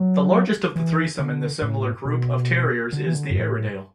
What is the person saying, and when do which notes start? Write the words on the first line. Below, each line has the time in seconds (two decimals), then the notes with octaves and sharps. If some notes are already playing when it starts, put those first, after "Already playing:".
The largest of the threesome in this similar group of Terriers is the Airedale.
Already playing: F#3
0.75 E3
1.19 D3
1.62 A2
2.05 B2
2.92 D3
3.06 E3
3.14 D3
3.30 F#2
3.37 A2